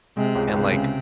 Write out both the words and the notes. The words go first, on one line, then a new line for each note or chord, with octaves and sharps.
and, like,
C3 G#3
C#2
C#2 C3
C#3